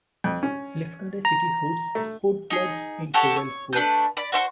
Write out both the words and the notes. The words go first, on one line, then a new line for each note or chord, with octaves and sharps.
Lefkada City hosts sport clubs in several sports.
F2
C#4
A#5
A3
D#4 G#4
F#4 G4 A4 C#5
C#5
A3 D4 B4 G6
D5 B5
F#4 C5 E5 C#6